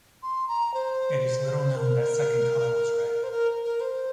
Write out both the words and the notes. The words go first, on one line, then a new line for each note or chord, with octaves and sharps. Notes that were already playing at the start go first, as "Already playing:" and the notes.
It is little known that second color was red.
C6
A#5
C5
A#4
C5
A#4
A#4
C5